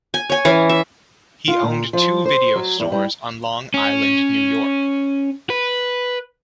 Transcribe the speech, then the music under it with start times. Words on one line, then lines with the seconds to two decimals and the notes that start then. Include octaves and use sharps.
He owned two video stores on Long Island, New York.
0.14 G#5
0.30 C#5 G#5
0.45 E3 C#4
0.69 E5
1.48 F4
1.63 A#2
1.93 F3
2.25 C5
2.55 F#3
2.80 E2
2.92 G3
3.74 C#4
5.50 B4